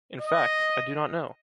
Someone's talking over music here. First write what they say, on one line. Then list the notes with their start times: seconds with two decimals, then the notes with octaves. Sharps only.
In fact ,I do not know.
0.20 D#5